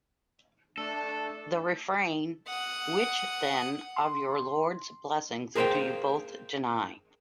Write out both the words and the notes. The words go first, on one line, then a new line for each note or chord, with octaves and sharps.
The refrain, Which, then, of your Lord's blessings do you both deny?
A3 D4 A4
F#5 D#6
C6
G#4 A#4 C5 D#5 F5 G5